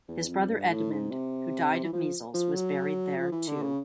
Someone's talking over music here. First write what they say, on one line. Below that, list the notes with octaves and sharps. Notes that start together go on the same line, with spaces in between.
His brother Edmund, who died of measles, was buried there too.
E2
F2
G2
A2
G#2
C3
E3
F3
F3
F#3
F3
E3
D3
C#3